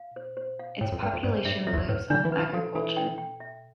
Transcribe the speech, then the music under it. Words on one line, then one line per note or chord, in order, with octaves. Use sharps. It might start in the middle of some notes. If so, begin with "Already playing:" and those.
Its population lives on agriculture.
Already playing: F5
C5
C5
F5
A2 G5
F2
G2 G5
F2
G2 C5
G2 E5
F2 E5
E2
F2
A2 B4
D3 D4
E3
B4
E3
F3 A4
E3 A4
G5
G5
E5